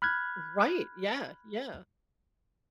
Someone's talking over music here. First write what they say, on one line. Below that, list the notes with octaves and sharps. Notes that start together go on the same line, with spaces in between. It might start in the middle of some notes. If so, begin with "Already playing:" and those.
Right, yeah, yeah.
B5 F6 F#6 G#6